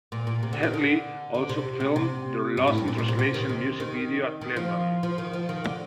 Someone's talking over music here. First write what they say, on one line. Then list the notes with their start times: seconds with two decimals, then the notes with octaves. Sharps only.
Hedley also filmed their Lost in Translation music video at Glendon.
0.12 A#2
0.27 A#2
0.43 C3
0.53 D3
0.63 D#3
0.74 D3
1.34 D3
1.49 C3
1.80 C3
1.96 C3
2.57 G2
2.68 A2
2.78 G2
2.88 A#2
2.98 A#2
3.08 C3
3.19 C3
3.34 D#3
3.49 C3
3.80 D#3
4.41 D#3
4.56 F3
5.03 F3
5.18 D#3
5.33 F3
5.49 D#3
5.64 D3